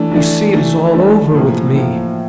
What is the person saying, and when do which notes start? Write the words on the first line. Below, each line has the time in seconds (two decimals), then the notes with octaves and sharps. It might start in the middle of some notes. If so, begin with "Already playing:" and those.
You see it is all over with me.
Already playing: E3 A3 D4
0.11 E3 A3 D4
0.53 E3 A3 D4
0.93 E3 A3 D4
1.34 A2 F3 A#3
1.75 A2 F3 A#3